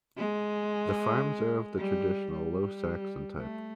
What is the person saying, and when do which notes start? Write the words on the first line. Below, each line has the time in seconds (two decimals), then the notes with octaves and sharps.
The farms are of the traditional Low Saxon type.
0.17 G#3
1.78 G3
2.32 G3
3.38 A3